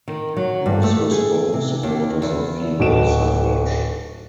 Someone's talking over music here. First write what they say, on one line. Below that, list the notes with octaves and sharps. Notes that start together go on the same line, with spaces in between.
Most were strong supporters of female suffrage.
D#3
F#3
G2
A3
G#4
C3
D#2
E2
D1 F#4 A4 D#5 D7 E7